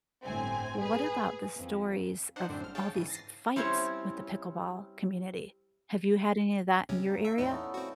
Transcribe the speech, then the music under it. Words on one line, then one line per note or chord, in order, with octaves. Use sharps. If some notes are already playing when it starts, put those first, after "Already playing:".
What about the stories of all these fights with the pickleball community? Have you had any of that in your area?
G1 A2 C4 G#5
G#4 B4
F2
D4 D#4 C5 F#5
F#2 A2 D3 C4 D4 C5
G1 F6
G#4 C#5 F5 G5 A5
G#2 C#3 E3 D#7
A6 A#6 C7
G3 C4 C#4 E4 C5 C#5
C#2 C3 C#4
A#3
E5
E2 A2 C#4 D#4 E4 D5
A3 B3 F#5
C4 F#4